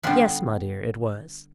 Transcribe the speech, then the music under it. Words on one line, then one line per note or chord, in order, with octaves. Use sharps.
'Yes, my dear, it was.'
D3 G3 B3 F4